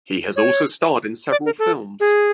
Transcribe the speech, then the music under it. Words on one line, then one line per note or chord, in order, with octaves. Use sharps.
He has also starred in several films.
C#5
D5
A#4
A4
G#4